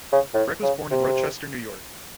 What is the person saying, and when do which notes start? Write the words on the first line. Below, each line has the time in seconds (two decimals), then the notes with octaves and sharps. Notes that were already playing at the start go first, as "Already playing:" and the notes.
Breck was born in Rochester, New York.
0.12 C#3
0.34 A2
0.63 C#3
0.91 C3